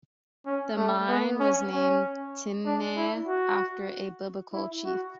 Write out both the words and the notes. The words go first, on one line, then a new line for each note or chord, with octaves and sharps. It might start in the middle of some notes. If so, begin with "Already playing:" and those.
The mine was named Timnah after a Biblical chief.
C#4
A3
B3
C#4
C#4
D4
E4
F#4
E4
F#4